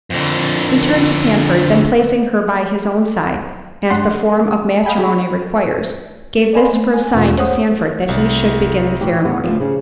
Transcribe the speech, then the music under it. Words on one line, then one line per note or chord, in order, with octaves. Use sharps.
He turned to Sandford--then placing her by his own side, as the form of matrimony requires, gave this for a sign to Sandford that he should begin the ceremony.
F2 D3
G2 C#3 G#3 F#5 C6
G#3
D#5 F5 G5 G#5 B5
F#3 G#3 B5
D5 D#5 G#5 B5 C6
A3
G#5
E2 B2 C#4 F4
C5 C#5 F#5 D#6
C2 G3
A#1 A2 G4 B4
B3
D2 F3 G4 C5
C#3